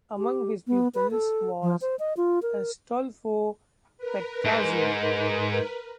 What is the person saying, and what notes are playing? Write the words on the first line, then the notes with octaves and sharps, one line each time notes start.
Among his pupils was Astolfo Petrazzi.
G4
B3
B4
A4
F3
C5
D#5
F4
A#4
A#4 B4
G#2